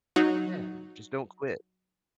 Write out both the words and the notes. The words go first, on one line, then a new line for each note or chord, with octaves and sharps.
Yeah. Just don't quit.
F#3 D#4 F#4